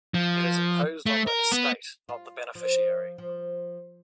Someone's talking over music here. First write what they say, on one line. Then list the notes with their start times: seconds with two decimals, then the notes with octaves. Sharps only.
It is imposed on the estate, not the beneficiary.
0.14 F3
1.06 A3
1.27 A#4
1.52 B3
2.09 F4
2.55 F3
3.18 F3